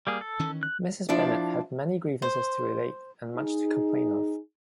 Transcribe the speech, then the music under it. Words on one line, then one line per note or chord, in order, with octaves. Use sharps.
Mrs. Bennet had many grievances to relate, and much to complain of.
G3 A#3 G#4
A4
D#3 E3 C#4
F#6
F3 D4 E4 D5
C5
D#4 G#4